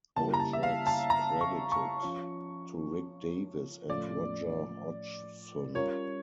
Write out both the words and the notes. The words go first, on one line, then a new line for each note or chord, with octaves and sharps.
All tracks credited to Rick Davies and Roger Hodgson.
C#3 G3 A#3 E4 G4 A5
A#5
A5
E5
F5
A5
A#5
C#6
C#6
F3 C#4 F4 C#5
A2 F3 A3 C#4 F4 D5
G3 C#4 F4 A#4 C#5